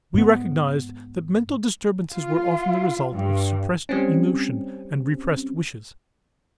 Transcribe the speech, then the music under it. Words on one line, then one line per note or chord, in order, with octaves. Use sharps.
We recognized that mental disturbances were often the result of suppressed emotion and repressed wishes.
G#2 B3
F4
G2
G3 C4 C#4